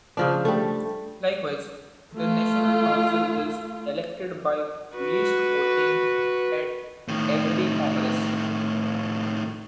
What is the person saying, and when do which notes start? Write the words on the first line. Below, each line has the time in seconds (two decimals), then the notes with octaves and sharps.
Likewise, the national council is elected by list voting at every congress.
0.17 C#3 F3 D4
0.45 G3 A3
2.15 A3 F4
4.97 F#4 B4
7.08 A2 D#3